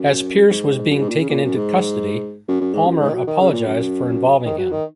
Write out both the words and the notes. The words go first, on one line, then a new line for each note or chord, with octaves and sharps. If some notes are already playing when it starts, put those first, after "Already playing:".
As Pierce was being taken into custody, Palmer apologized for involving him.
Already playing: F#2
G#2
F#2
G#2
A#2
C#3
A#2
F#2
G#2
F#2
F#2
G#2
F#2
G#2
D#3
F#3
D#3
C#3
A#2
F#2
D#3
F#3
D#3